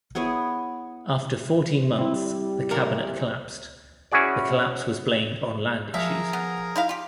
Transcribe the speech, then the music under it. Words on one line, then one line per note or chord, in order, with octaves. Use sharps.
After fourteen months, the cabinet collapsed; the collapse was blamed on land issues.
B3 E4 G#4 C#5
G3 C4 E4
E2 A#2 A#4
C#4 E4 F#4 G#4 D5
F3 G#4 A#4 E5 A#5
B3
D#4 E4 F5
F4 G4